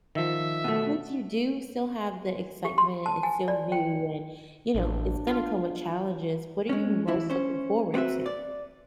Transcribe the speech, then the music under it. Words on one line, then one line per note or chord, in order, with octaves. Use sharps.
since you do still have the excitement, it's still new, and you know, it's gonna come with challenges, what are you most looking forward to?
D#3 F3 E5
B2 A3
G4
C6
A5
G#5
D5
G5
A1 D4
F4
G#3 C#4
E3 E4
C#4 C5
B3 C4 F#4 B4 E5
D5